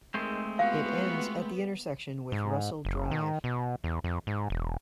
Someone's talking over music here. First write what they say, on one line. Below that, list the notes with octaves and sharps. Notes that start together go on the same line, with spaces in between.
It ends at the intersection with Russell Drive.
G#2 D#3 G#3 A3 C4
B3 F4 F#4 F5
G#2
F#1
D#3
B2
E2
F2
G#2
E1